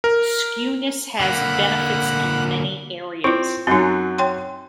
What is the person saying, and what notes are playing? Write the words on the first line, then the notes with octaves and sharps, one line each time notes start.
Skewness has benefits in many areas.
A#4
D3 A#3 F#5 B5
C4 E4 F4
F#2 F#3 C4 D#4
C#5 G5 C6